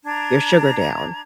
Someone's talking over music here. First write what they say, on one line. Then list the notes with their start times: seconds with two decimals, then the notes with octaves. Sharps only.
your sugar down.
0.05 D4 A#5 G#6